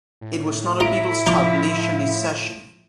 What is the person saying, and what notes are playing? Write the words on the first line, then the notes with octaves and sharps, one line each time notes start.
It was not a Beatles-type leisurely session.
A2
E4 F4 D#5 A#5 D7
F3 D#4 D6